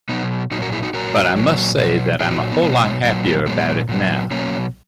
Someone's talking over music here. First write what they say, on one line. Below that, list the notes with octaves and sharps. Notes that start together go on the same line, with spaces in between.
But I must say that I'm a whole lot happier about it now.
B2 F#3 B3 D#4
A#2 F#3 D#4 F#4
F#4 A#4
E4 G#4
D#4 F#4
A#2 F#3 F#4 A#4
A#2 F#3
B2 F#3
A#2 F#3 E4 G#4
D#4 F#4
B3 D#4
B2 F#3 G#3 B3
G#3
A#2 F#3 A#3
G#3 B3
A#2 F#3 G#3 B3
A#2 F#3
B2 F#3 A#3 C#4